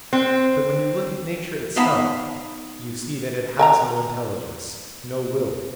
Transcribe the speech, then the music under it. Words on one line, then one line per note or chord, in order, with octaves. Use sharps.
But when you look at Nature itself, you see that it has no intelligence, no will.
C4
B3 D#4 F5 A5 B5
A#4 G#5 A#5